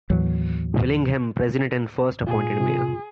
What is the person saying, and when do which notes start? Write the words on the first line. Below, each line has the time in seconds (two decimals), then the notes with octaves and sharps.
Willingham, president and first appointed mayor.
0.10 D#2 A2 E3 F#3
2.27 A#2 F4 G#4
2.60 C3 F4